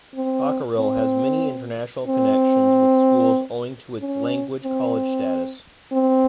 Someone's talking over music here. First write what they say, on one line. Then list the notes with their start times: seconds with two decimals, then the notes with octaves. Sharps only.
Hockerill has many international connections with schools owing to its Language College status.
0.15 C4
0.78 C4
2.07 C4
4.00 C#4
4.64 C4
5.92 C4